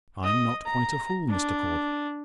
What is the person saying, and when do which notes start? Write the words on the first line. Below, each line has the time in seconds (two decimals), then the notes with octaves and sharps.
I'm not quite a fool, Mr. Caudle.
0.24 D#5
0.66 A#5
1.29 D4